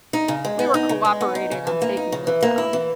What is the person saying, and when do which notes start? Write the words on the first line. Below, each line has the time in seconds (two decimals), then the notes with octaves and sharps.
We were cooperating on taking them down.
0.13 D#4
0.28 C#3
0.45 G#3
0.59 B3
0.74 D#4
0.89 C#3
1.05 G#3
1.21 B3
1.35 D#4
1.51 C#3
1.67 E3
1.82 A#3
1.97 D#4
2.12 C#3
2.27 E3
2.43 A#3
2.58 E4
2.73 E3